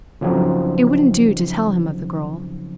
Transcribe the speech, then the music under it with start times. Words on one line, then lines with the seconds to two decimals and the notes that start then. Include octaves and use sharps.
It wouldn't do to tell him of the girl.
0.21 C#3 F3 F#3 C4 D#4